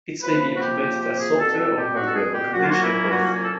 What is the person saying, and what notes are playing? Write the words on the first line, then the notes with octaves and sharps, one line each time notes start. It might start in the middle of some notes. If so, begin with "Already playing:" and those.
It may be implemented as software or hardware or combination of both.
C3 F3 A#3 B4
B4
F#4
G4
G4
G4
G#4
B2 G3 C4 A4
A4
G4
F#4
A4
G#4
G4
C2 A#2 F#3 A#3 C#4 F#4
F4
F#4
E4
F#4
A4